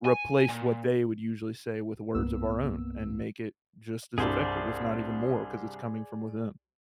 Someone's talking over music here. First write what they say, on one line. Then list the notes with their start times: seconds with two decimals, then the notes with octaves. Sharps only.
replace what they would usually say with words of our own and make it just as effective, if not even more 'cause it's coming from within.
0.05 G#5
0.49 A#2
2.14 C2 G2 A#3 B3 E6
4.18 C2 G2 G#4 C5 D5